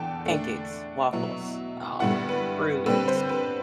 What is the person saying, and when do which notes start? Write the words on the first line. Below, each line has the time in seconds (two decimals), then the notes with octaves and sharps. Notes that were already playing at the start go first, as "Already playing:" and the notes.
Pancakes, waffles, um, fruits.
Already playing: E2 D3 G5 A5
0.26 D3 A3 D4
1.13 B2 F#3 B3 E4
2.00 G2 D3 G3 B3 E4 F#5
2.29 B4
2.86 D3 G3 C4 B4
3.08 C5
3.29 B4